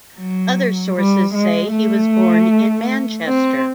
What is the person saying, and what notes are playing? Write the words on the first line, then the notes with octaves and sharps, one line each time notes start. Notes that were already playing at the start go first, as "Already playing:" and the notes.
Other sources say he was born in Manchester.
F#3
G3
G#3
A3
C4